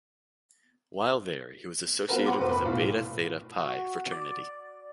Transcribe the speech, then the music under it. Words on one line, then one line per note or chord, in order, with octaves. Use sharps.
While there, he was associated with the Beta Theta Pi fraternity.
B3 C4 F4 F#4 A#4 B4
F#5 B5 C6 D6
F1 B4 C5
B5
B1 A2 F4
F#4
D5